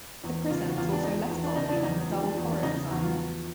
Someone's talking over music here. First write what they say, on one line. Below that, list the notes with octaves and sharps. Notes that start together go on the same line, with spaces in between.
The prism is also less bulky than the double Porro design.
E2
C#3 F4
F#4
E2 F4
D4
F3 D#4
E2
D4
C#3 D#4
D4
E4
E2 D#4
F3
D4
E2
D4
C#3 D#4
E2 F#4
F4
F3